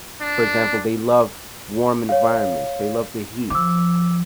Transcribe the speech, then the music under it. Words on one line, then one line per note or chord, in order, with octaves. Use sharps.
for example, they love warm environments, they love the heat,
D4
C#5 F5
F3 D6 E6